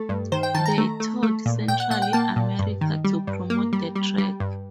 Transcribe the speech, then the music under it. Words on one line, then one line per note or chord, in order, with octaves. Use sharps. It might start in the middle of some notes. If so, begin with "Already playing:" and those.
They toured Central America to promote the track.
Already playing: A3 A4
G2
D#3 C5
G5
D#3 A5
A#5
A3
A3
A3
A#2
A#2 G5
F#5
A#2 F#5
G5
A#3 A5
A#2
G2
D#3
G3
G2
A#3
G3
G3
G3
G2